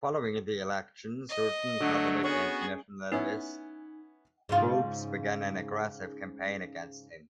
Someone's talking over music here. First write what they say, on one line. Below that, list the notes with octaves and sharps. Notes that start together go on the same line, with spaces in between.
Following the election, certain Catholic and nationalist groups began an aggressive campaign against him.
D#5
D3 F#3 A3
B3 C#4 F#4 G#4
B3 C#4 D#4 E4
G#2 C#3 F4